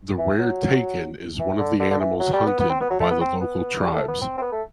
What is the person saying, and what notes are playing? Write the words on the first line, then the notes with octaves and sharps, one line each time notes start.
The rare takin is one of the animals hunted by the local tribes.
E3
F#3
E3
D3
D3
D3
E3
F#3
G3
B3
B3
C4
B3
F#3
A3
B3
C4
B3
G3
A3
B3
C4
C4
B3
A3